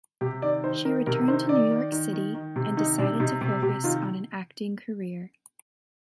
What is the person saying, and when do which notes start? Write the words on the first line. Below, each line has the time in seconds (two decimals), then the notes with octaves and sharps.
She returned to New York City and decided to focus on an acting career.
0.21 C3 G4
0.42 D#3 D5
0.64 D#3 C5
0.85 D#3 A#4
1.06 C3 A#4
1.28 D#3 C5
1.49 D#3 D5
1.71 D#3
1.92 D#3
2.13 D#3
2.34 D#3
2.56 C3
2.77 D#3 D#4
2.98 C3 D4
3.20 C3 D#4
3.41 C3 G4
3.62 C3 G4
3.84 D#3 F4